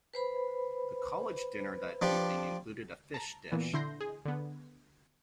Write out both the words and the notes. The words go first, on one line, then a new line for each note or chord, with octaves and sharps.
The college dinner that evening included a fish dish.
B4 C5 B5
F3 D4 G4
A5 A#5
A#2 E3 B3
D3 E4 C6 G6 A#6
G#4
D3 B3